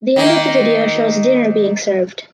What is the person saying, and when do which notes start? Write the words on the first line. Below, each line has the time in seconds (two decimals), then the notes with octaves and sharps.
The end of the video shows dinner being served.
0.16 D#3 A#3